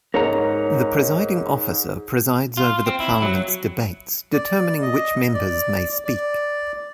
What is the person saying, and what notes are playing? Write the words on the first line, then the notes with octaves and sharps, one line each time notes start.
The Presiding Officer presides over the Parliament's debates, determining which members may speak.
G#2 A#4 C#5 A#5
F4
C4
E4
F#3
D5
D#5
D5
D5